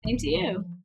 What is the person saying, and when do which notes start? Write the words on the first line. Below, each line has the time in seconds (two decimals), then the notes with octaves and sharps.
Same to you.
0.05 D1
0.34 E3 F3